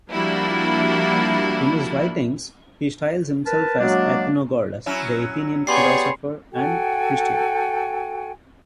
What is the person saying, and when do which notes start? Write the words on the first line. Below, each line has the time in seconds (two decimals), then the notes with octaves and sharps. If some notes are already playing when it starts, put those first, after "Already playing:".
In his writings he styles himself as "Athenagoras, the Athenian, Philosopher, and Christian".
0.10 F3 G3 A#3 D4 E4 F#4
3.46 A#4 B4 A5
3.79 F#3 G#3 A#3 D4
4.86 F#3 C#4 E4
5.67 B3 G4 G#4 C#5 D5 B5 C6 C7
6.52 F#4 A4 G5 G#5